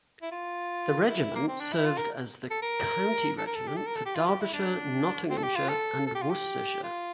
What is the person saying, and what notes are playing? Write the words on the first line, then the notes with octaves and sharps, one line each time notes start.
The regiment served as the county regiment for Derbyshire, Nottinghamshire and Worcestershire.
E4
F4
E4
A#3
C4
D4
E4
F4
A#4
A4
A#4
A4
A#4
A4
G4
A4
A#4
A4
G4
F4
G4
E4
D4
C4
A4
G4
F4
A4
A4
G4
F4
G4
F4